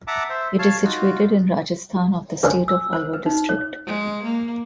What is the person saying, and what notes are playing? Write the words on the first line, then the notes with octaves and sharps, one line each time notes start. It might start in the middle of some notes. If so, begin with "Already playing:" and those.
It is situated in Rajasthan of the state of Alwar District.
E5 F#5 A5 A#5 D6
C5 E5
C#5 F5 A5
D#4 F4 F#4
G#5
E6
C5
B4
D#4
C#5
G#3
A#3